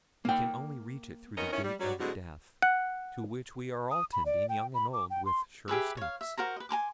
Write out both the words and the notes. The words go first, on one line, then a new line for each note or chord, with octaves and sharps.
We can only reach it through the gate of death, to which we are all tending, young and old, with sure steps.'
A#3 G5
D#3 B3 C#4 A#4 D#5
D#3 C#4 E4
G3
F#3 G3
A2 D3 G3 G#3 C4 F#4
F#5
D#6
B5
D5
G5
B5
D6
G5
C6
G4 G#4 B4 E5
C#5 F5
E5
F#4 A#4 C5 A#5
B4 D#5
G#5 A#5 C6 D6